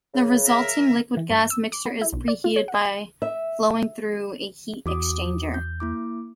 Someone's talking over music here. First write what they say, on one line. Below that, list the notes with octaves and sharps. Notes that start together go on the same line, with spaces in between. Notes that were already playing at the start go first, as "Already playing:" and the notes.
The resulting liquid-gas mixture is preheated by flowing through a heat exchanger.
C#3
A#4 E5
E3
G2
E6
D6
B3
E4
B1
D5
F4
C#5
F#5
E5
E2 F#4 D6 D#6
G6
A#3 E4 D6